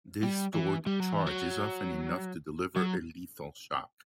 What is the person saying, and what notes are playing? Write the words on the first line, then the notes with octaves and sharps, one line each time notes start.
This stored charge is often enough to deliver a lethal shock.
G3
E3
G3
F#3
E3
F#3
F#3